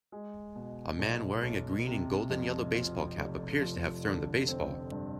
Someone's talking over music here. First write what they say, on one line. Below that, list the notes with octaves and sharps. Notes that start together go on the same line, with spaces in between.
A man wearing a green and golden yellow baseball cap appears to have thrown the baseball.
G#3
B2
B1
B1
C3
F2
F3
F1
F3
D3
C4
G2